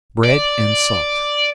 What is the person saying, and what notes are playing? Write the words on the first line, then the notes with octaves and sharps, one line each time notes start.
Bread and Salt.
D5